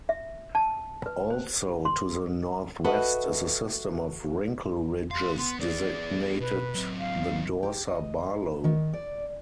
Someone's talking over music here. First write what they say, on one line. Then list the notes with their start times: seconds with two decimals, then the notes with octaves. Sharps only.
Also to the northwest is a system of wrinkle ridges designated the Dorsa Barlow.
0.09 E5
0.55 A5
1.06 B4
1.30 C5
1.85 C6
2.84 F#4 A4 B4 D#5 E5 F#5
5.11 G4 F5 C6
5.38 B3 C6
5.60 B3 G#4 D5
6.40 B2 B4
6.75 F#3 C4
6.99 F5
7.63 G4
7.88 D#5
8.64 D#3
8.93 D5